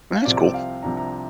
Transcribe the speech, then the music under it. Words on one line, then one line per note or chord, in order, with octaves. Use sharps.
That's cool.
F5
C2 C3 F3 C4 D5
D5
F5
C2 C3 F3 D4 A#5
A#5